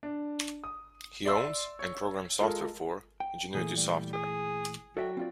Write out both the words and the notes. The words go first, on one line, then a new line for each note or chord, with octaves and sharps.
He owns, and programs software for, Ingenuity Software.
D4
D#6
D5 E5 C6 E6
C#5
G#3 F4 A4 A#4
G5
A#2 E3 A3 G#4
G3
G#4
F#3 F#4 A4 D5 E5 G5
C4 F4 D5